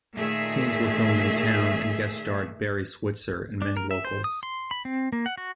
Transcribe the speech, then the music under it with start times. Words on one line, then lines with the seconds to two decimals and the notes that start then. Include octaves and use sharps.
Scenes were filmed in town and guest starred Barry Switzer and many locals.
0.14 A#2 D#3 A3 G#4 E5
3.62 D4
3.77 A#4
3.91 E5
4.05 C5
4.24 D#6
4.43 C6
4.71 B5
4.85 C4
5.12 A#3
5.26 F#5
5.38 F#4